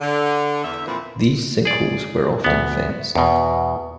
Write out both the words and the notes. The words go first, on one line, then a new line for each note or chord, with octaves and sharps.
These sinkholes were often fenced.
D3
E2 E5
A#2 E3 F3 C4 B4
G#4 D5
D2 B3
E2 B2